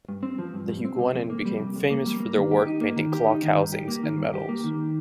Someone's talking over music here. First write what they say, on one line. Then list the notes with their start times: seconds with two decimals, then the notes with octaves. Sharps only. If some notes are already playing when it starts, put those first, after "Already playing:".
The Huguenin became famous for their work painting clock housings and medals.
0.09 G2
0.23 C4
0.38 F3
0.53 G2
0.68 G2
0.85 C4
0.99 C3
1.14 F2
1.30 A#3
1.45 G3
1.60 C3
1.76 F2
1.90 A#3
2.06 G3
2.20 A#3
2.37 D#3
2.51 G4
2.67 D#4
2.81 A#3
2.96 D#3
3.12 G4
3.26 D#4
3.43 D#3
3.58 G2
3.72 G4
3.88 A#3
4.03 D#3
4.18 G2
4.34 G4
4.49 A#3
4.64 D#3